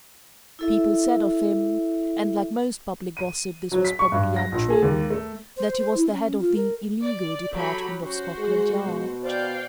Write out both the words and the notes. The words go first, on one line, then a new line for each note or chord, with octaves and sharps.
People said of him--and like most public gossip, this was probably untrue--that he was the head of the "illegal" department of Scotland Yard.
E4 A4 E5
D#7
F#3
B6
C#6
G2
A#6
A#1
G#4
D#2
A3
C5
C5
E4
C#4
F4
A#4
D5
F#3 G4 A4 B5
C#4 F#4 C5
G#3 G#4
B2
C5 D5 F5 G5